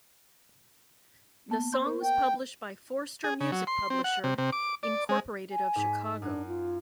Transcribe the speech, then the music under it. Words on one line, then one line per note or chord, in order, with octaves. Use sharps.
The song was published by Forster Music Publisher, Incorporated of Chicago.
A#3 B3 A5
C5 C6 G6
A#4 C#6
G5
G#4
C#3
F#3
C6
C4
F#5
C3
C3
D6
D5
G#3
G#5
G#2 G#3 B6
F#2 D4 F#6
F4